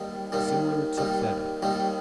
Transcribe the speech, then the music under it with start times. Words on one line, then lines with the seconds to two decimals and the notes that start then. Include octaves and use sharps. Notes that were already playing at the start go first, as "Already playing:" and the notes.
Similar to Feta.
Already playing: D#2 D#3 G3
0.32 D#2 D#3 G3
0.98 D#2 D#3 G3
1.62 D#2 D#3 G3